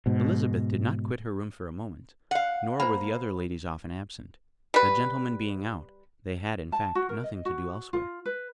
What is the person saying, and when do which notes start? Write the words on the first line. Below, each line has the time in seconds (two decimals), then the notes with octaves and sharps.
Elizabeth did not quit her room for a moment; nor were the other ladies often absent; the gentlemen being out, they had, in fact, nothing to do elsewhere.
0.06 G#2 B2
2.31 F5 F#5
2.80 A#3 C5 B5
4.74 G3 B4
6.72 A5
6.95 F#4
7.09 A#4
7.24 D#5
7.45 F#4
7.93 F4
8.26 B4